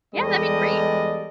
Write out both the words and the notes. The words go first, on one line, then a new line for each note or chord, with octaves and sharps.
Yeah, that'd be great.
E2 G3 G#3 A4 D5 D#5